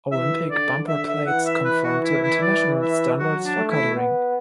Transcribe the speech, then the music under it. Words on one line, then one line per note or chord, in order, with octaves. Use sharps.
Olympic bumper plates conform to international standards for colouring.
E3 E5
D3 D5
D3 E5
E5
E3 F#5
E5
B4
F#4
E4
E4
D5
E5
F#3 F#4
D4
A3
E4
B3